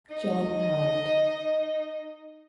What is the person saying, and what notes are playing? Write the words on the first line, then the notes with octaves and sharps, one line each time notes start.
John Hand.
D#4 D#5